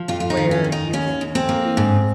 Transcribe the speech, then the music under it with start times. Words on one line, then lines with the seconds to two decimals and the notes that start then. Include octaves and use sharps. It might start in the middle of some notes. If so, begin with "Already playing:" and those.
where you can be f
Already playing: F3
0.08 F2 F4
0.20 F4
0.30 D#4
0.37 D#3
0.51 C#4
0.64 F2
0.72 D#4
0.93 D#2 C#4
1.21 D#2
1.35 C4
1.49 A#3
1.77 G#2